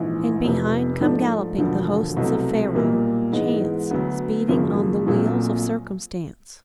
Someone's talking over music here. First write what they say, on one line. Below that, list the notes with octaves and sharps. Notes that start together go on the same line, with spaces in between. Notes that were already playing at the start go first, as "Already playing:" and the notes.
And behind come galloping the hosts of Pharaoh; chance, speeding on the wheels of circumstance.
Already playing: A#1 G#2 E3
F1 F2 C3
G#2 F3 A3 D4
E1 D2 D3 F3
C2 B2 F#3 A3 C4
B1 A#2 G3 A#3
G#2 E3 G#3 B3
D2 D3 F#3 B3
G#1 F#2 C#3 F3 A#3
A#1 A#2 F#3 A3 C4